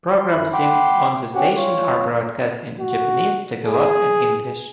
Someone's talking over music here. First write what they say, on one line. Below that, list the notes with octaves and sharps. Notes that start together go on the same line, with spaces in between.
Programs seen on the station are broadcast in Japanese, Tagalog, and English.
C6 D6
F#2 E4 F#6
F#5 G5 B5 C6 D6
C4 C#4 F#4 G4 F#5
F4 C#5
F#4
G#4